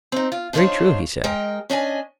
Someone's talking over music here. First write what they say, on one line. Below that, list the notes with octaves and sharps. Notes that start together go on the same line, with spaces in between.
Very true, he said.
C4 D#4
F4
D4 D#4 F4 F#4 C5 C#5
G#3 A#4 D#5 G5
C#4 D4 D#5 G#5